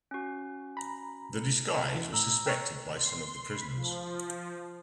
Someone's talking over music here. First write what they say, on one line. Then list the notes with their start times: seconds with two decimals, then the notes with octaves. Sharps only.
The disguise was suspected by some of the prisoners.
0.11 C#4 F#4
0.77 A#5 B5
1.95 E3
2.13 A2 A#5 E6
2.46 G5 C#6
2.95 C6
3.46 B5
3.75 F3